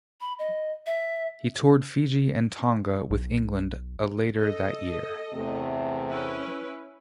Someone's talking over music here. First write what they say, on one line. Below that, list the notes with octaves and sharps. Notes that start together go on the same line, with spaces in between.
He toured Fiji and Tonga with England A later that year.
B5
D#5
E5
B1
A4 D#5
E2 C3 A3
C#4 E4 B4